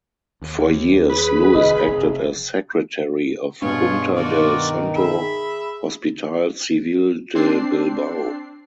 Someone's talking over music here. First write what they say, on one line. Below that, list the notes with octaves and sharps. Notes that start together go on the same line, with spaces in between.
For years Luis acted as secretary of Junta del Santo Hospital Civil de Bilbao.
D#2
G#4 B4
F1 D#3 D#5
F1
G2 B2 B3 F4 G#4 C#5
D#3 F4 F#4 D5
G#4 E5 B5
C4 D4 C7